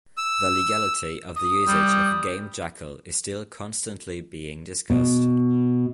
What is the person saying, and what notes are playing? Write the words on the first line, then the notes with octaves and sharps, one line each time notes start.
The legality of the usage of Game Jackal is still constantly being discussed.
E6
D#6
G3
B2